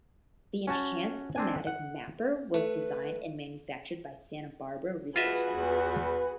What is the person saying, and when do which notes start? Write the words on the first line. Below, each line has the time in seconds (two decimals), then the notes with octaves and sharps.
The Enhanced Thematic Mapper was designed and manufactured by Santa Barbara Research Center.
0.67 C#4 F#4 A5
1.36 C4 D4 G#5
1.67 F#5
2.54 A3 B4
5.16 F4 F#4 G#4 B4 D#5 E5
5.55 E2